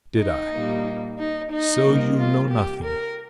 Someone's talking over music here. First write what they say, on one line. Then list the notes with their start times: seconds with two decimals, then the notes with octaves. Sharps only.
Did I? So you know nothing.
0.19 D#4
0.53 A#2 G3 A#3
1.19 D#4
1.51 D#4
1.84 C3 G3 A#3
2.18 F4
2.50 G4
2.84 A#4